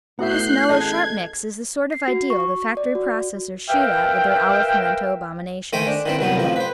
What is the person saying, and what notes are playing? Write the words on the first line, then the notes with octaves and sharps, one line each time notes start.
This mellow-sharp mix is the sort of ideal the factory processors shoot at with their olive-pimiento abominations.
A2 B3 F#4 E5 F#5 F#6 G6 C7
A1 G#4 A4 D#5 G#6
C7
F#4
C#6
D5
F#4
A#4 B4 E5 F5 G5
D#3 A3 C5 G5 G#5
D4
D#3 E3 C4
C2 D#3 F#3 B3
A1 F2 F3
B4 C5